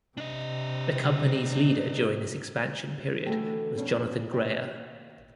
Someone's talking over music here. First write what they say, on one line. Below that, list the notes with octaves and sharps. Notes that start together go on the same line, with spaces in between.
The company's leader during this expansion period was Jonathan Grayer.
C3 D4 D#5
D3 E3 A3 F#4 A4 G5
F2 B2 C#4 D4
A#2 C#3 G#4 D5 G5
D#2